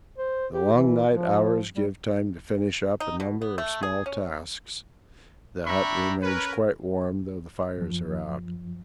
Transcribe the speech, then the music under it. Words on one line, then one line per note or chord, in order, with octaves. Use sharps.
The long night hours give time to finish up a number of small tasks--the hut remains quite warm though the fires are out.
C5
G4
E3
F3
G3
D#4
B2
B3
A3
G#4
C#4
D4 E5 G5 A#5 B5 C#6
C#4 A#4 B4
F#2 F3